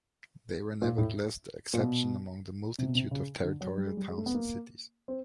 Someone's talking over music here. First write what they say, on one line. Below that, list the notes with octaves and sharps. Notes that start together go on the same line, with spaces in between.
They were nevertheless the exception among the multitude of territorial towns and cities.
A#2
A2
A#2
B2
C3
B2
C3
C#3
D3
F#3
G3
G#3
G3
G#3
A3
B3
A#3
C4